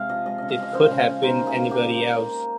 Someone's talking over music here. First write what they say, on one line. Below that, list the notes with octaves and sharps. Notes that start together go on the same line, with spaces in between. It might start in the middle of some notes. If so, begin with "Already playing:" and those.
It could have been anybody else.
Already playing: C3 G#3 F5
F3 D#5
G#3 D#5
C#3 D#5
F5
G#3 D#5
C#3 C5
C#3
C#3
D#4 C5
A#3
G#4
A#3
A#3 G4